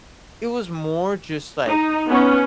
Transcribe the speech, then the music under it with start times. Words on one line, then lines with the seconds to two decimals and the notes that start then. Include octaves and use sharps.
it was more just, like,
1.68 D#4
2.08 B3 C#4